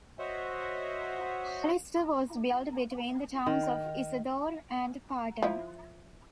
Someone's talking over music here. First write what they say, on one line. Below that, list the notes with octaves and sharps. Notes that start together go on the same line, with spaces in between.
Hollister was built between the towns of Isadore and Parton.
F#4 C5 C#5 D#5 E5 F#5
D#3
F3 E4